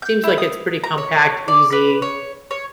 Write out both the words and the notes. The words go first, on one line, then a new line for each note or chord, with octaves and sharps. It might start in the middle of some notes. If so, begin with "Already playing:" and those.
seems like it's pretty compact, easy,
G6
E4
D#6
A#5
C#5
D5
B4
C#5
C#5